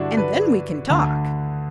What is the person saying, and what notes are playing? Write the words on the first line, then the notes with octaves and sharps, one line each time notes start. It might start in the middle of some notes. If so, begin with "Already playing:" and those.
And then we can talk.
Already playing: G2 D3 D4 E4 F#4
B4
D2 D3